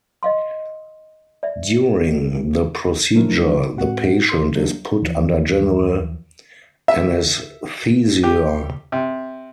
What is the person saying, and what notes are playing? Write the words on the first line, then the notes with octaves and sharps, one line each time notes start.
During the procedure, the patient is put under general anaesthesia.
D#5 F5 C6
D5 E5
F3 F#3 A3 D4 E4 A#4
A2 G#3 C4 F#4 F#5
A#4 C6
F#3 A#3 D4
D#2 E3 F3
E5
G4
C3